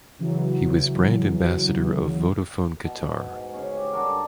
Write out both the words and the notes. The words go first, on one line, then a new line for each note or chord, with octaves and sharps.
He was brand ambassador of Vodafone Qatar.
C#3 E3 F#3
B2
G#2
C#3 C#4
G4
G3 D4 F#4 A#4
G2 A4 A5